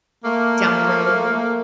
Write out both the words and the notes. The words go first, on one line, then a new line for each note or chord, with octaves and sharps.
down the road?
A3 A#3